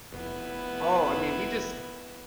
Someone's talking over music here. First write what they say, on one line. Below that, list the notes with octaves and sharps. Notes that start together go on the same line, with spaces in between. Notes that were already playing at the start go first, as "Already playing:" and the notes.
oh, I mean, we just
F1 B3 E4